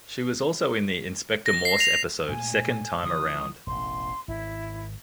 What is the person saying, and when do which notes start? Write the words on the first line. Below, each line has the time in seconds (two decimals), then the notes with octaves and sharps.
She was also in the "Inspector Morse" episode "Second Time Around".
1.46 A#6
1.65 C7
1.80 F7
2.29 A#2 G#3 A3 G#5
3.04 D3 E3 F3 D#6
3.67 E1 A1 C6
4.28 G#1 E4